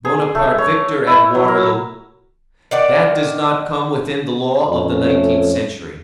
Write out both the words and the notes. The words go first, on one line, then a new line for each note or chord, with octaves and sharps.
Bonaparte victor at Waterloo; that does not come within the law of the nineteenth century.
G#4
A3
C#5
E4
F#3
A#4
D#3 D5 F#5
F2 A3 C#4